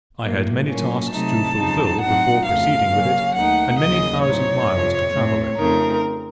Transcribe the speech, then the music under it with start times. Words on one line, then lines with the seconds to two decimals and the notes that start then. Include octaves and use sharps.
I had many tasks to fulfil before proceeding with it, and many thousand miles to travel over.
0.22 A2 F#3 A#3
0.67 A#2 F#3 A#3 C#4
1.11 C3 F#3 A3 D#4 A5
1.56 F2 C#3 F#3 C4 D#4
2.00 A2 F#3 C4 D#4 F#5
2.45 F2 C#3 A3 F5
2.89 C#3 F#3 A#3 C#4
3.34 D#2 D#3 A3 D#4 F#5
3.78 D#2 C#3 F#3 D#5
4.23 A2 F#3 C4 D#4 C#5
4.67 F2 C3 F3
5.12 A2 A3 C4
5.57 F2 C#3 A3 C4 D#4 A#4